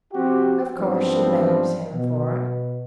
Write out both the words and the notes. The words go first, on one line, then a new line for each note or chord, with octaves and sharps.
Of course she blames him for it.
F3 C4 F#4 G4
G#2 F3 G3 B3 C4 D4
B2